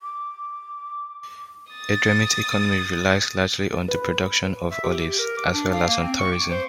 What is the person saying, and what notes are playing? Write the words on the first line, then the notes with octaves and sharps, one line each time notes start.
Edremit's economy relies largely on the production of olives, as well as on tourism.
D6
D#6 A6
B4
E5
G4
G4
A#4
D6
D4
F5
A#3
C4
C#6
D6
C5